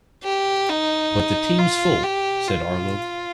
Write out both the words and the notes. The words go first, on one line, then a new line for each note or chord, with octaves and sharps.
"But the team's full," said Arlo.
G4
D#4
F4
G4
F4